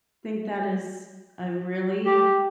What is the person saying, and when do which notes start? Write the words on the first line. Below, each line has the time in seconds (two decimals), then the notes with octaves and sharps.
think that is a really
2.05 G4